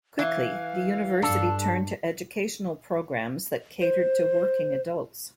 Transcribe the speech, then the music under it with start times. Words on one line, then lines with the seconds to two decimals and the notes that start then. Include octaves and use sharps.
Quickly, the university turned to educational programs that catered to working adults.
0.19 E3 F5
1.22 G2 D4 A4
3.81 C5